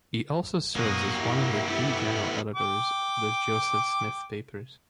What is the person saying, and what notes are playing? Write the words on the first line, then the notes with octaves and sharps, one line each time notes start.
He also serves as one of three general editors of the Joseph Smith Papers.
F#2 B2 A#3 F#4 D#6
G2 E4 G4
A3 B3
G5 D6